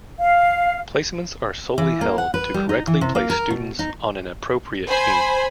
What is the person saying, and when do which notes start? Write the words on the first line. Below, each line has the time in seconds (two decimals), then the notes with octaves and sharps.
Placements are solely held to correctly place students on an appropriate team.
0.19 F5
1.78 E3
2.01 A#3
2.18 F#5
2.34 B4
2.54 G3
2.69 D#4
2.87 E3
3.01 C3
3.15 A#3
3.30 A#4
3.50 B2
3.79 D#4
4.87 C5 G#5 B5